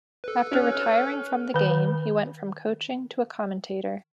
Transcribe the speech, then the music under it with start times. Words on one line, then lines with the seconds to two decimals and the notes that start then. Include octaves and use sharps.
After retiring from the game he went from coaching to a commentator.
0.24 A4 B4
0.51 C#4 F6 F#6
1.54 D#3 B4